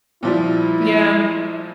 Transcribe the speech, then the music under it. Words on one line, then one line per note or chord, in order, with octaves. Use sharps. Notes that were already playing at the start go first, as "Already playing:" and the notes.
Yeah, um
A#2 F3 G3 E4